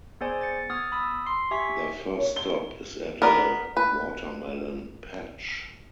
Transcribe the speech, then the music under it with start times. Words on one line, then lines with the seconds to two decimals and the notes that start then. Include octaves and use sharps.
Their first stop is at a watermelon patch.
0.21 B3 G#4 C5 D5 G#5
0.41 A6 C#7
0.69 B3 D#6 F6 A6
0.92 B5 D#6 E6
1.26 C6 C7
1.51 G4 E5 G#5 C#6 B6
2.18 C#5
2.36 G7
3.22 B3 A#4 D5
3.77 B4